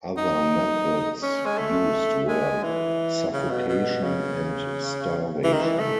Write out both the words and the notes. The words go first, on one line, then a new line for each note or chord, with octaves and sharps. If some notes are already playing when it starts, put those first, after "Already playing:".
Other methods used were suffocation and starvation.
D#4
C#4
G#3
A3
G#3
E3
C#3
B2
B2
C#3
E3
D#3
E3
A3